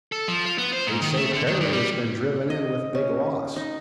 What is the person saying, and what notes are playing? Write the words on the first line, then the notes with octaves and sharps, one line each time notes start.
"They say Perry has been driven in with big loss."
A4
F3
F4
B3
C5
G#2
D#3
A3
D3
D#3
G2
G3
D#5
C#4
D#4